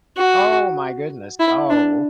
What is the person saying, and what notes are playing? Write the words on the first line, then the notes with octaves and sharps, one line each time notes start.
Oh my goodness. Oh.
F#4
E4
D4